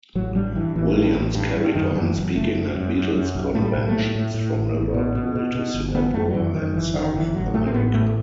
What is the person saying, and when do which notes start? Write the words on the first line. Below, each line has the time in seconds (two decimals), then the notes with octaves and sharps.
Williams carried on speaking at Beatles conventions from Liverpool to Singapore and South America.
0.15 A1 F#3
0.35 G2 G3
0.56 G2 E3
0.76 A1 E3
0.96 G2
1.15 A1
1.35 G2
1.56 G2
1.75 F#2 D#3
1.95 F#2 E3
2.15 F#1 F#3
2.35 F#1 A3
2.55 F#2
2.75 F#2
2.95 F#2
3.15 F#2
3.35 B1
3.55 A2 A3
3.62 G3
3.75 B1
3.88 A3
3.95 A2
4.15 A2
4.34 A2
4.55 A1
4.75 A1
4.94 B2
5.15 B2
5.35 B2
5.55 B2
5.74 G1
5.95 G1 B3
6.14 F#2 A3
6.28 F#3
6.34 F#2 E3
6.54 F#2 D#3
6.74 G1 E3
6.94 F#2 D#3
7.14 G1 E3
7.34 A1 F#3
7.54 A2 A3
7.66 C4
7.74 A1 B3
7.94 A2 A3